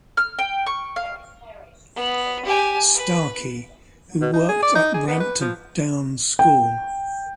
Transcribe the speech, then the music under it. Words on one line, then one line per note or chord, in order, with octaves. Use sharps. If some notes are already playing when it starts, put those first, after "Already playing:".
Starkey who worked at Brampton Down School.
F6
G5
C#6
F5
B3
G4 G#5
B4
B2
D#4
G#4
D5
D#4
G#4
B3
B4
F3
G5